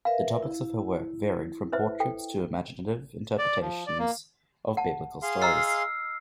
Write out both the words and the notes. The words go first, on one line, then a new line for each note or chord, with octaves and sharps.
The topics of her work varied from portraits to imaginative interpretations of biblical stories.
A#4 B4 E5 F5
E4
B4 C5 E5
A4 G5
D5
F3
D5
A#3
F#5 A5
G#4 F5 C6
D#5 A#5 E6 F6 C7